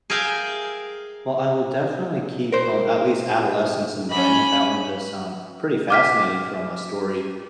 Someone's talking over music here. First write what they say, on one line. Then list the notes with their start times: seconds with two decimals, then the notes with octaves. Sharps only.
Well, I will definitely keep, um, at least Adolescence in mind, that one does sound pretty fascinating from a story
0.10 G#4 A#4 E5 F5 G5
2.52 A#4 C5
4.10 C#4 B5
5.90 D6 F6 B6